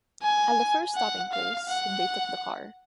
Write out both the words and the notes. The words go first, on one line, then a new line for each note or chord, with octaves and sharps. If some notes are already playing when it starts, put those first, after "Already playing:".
At the first stopping-place they took the car.
G#5
F#5
F5
F#5